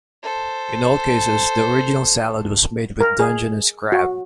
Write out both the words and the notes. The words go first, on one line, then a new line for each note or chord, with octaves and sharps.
In all cases, the original salad was made with Dungeness crab.
A4 C5
A#4
G#4
F#4